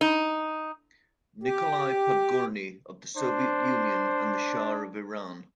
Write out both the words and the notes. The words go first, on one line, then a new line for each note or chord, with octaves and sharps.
Nikolai Podgorny of the Soviet Union and the Shah of Iran.
D#4
G4
D4 C5